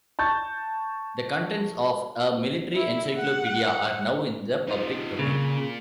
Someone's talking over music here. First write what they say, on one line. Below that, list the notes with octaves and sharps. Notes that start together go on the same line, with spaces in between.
The contents of "A Military Encyclopedia" are now in the public domain.
A5 C#6 G6 A6
E4
F#5
D#4 F4
A#2 C#3